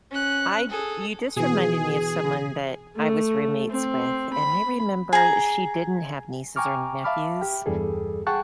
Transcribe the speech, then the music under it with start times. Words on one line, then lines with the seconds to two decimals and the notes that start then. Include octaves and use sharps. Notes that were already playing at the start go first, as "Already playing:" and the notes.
I d you just reminded me of someone that I was roommates with, and I remember i she didn't have nieces or nephews.
0.11 C#4 F#6
0.69 G#4 A4
1.37 B2 E3 G#4
2.96 A3
3.70 C4
4.33 B5
5.13 G#4 A#5
6.56 G5 G#5 A#5 C#6 D6 F6
7.04 E5 F5 A5 B5 D6 F6
7.41 G4 G5
7.66 E2 G2 G3 G#4 A4
8.27 G#4 F#5 G5 A5 C#6 F#6